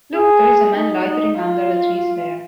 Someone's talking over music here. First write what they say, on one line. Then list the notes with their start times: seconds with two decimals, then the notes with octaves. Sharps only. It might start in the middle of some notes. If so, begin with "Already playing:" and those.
Look, there is a man loitering under the trees there.
0.15 G#4
0.76 D#4
1.08 D#4
1.39 F4